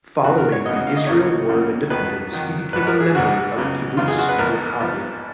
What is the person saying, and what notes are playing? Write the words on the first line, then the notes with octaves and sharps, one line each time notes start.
Following the Israel War of Independence, he became a member of Kibbutz Merhavia.
F#2 C#3 F#3 B3 F#4
A#4
C#5
F#2 C#3 F#3 B3 D#5
D#5
F5
D#5
C#2 C#3 F#3 A#3 C#5
C#2 C#3 F#3 A#3
F2 D#3 F#3 B4
F2 D#3 F#3
A#1 G#2 F#3 B4
A#4
G#4
A#1 G#2 F#3 F#4
C#2 C#3 F#3 B3
C#2 C#3 F#3 B3 F4
G#4
F#4
B4
A#1 G#2 F3 B3 A#4
A#1 G#2 F3 B3